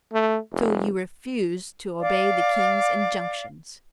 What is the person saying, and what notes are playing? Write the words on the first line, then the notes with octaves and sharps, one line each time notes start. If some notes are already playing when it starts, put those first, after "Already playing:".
So you refuse to obey the king's injunctions.
A3
F1
D5 F5